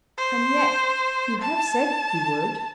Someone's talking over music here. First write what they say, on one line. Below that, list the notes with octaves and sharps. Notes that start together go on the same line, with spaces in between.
"And yet you have said you would?"
C5
A5